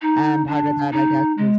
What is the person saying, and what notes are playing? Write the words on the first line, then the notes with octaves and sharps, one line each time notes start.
and part of that, I guess, is
D#4
D4
D#4
G#3